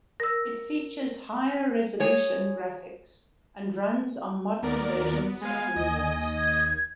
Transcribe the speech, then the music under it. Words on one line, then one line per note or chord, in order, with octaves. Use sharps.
It features higher resolution graphics and runs on modern versions of Windows.
A#4 E6
G#4 C#5 G#5
D#2 B3 A#4 D5
G#3 F5 G#5
D#2 D#5 D#6
G#6